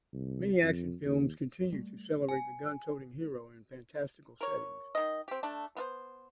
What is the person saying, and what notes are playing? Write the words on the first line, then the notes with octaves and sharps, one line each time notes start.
Many action films continue to celebrate the gun toting hero in fantastical settings.
C2
F2
D#2
G3 A3
G#5
A#4 C#5
D#3 D#5
C4 G4
A3 D4
B3 F4 C5